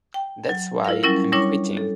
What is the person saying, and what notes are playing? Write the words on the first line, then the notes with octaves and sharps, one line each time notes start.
That's why I'm quitting.
G5
F#3
E4 F4 A#4 F5
F#3 G3 C#4 E4 A#4
G3 D4 E4 C#5 C#6
A4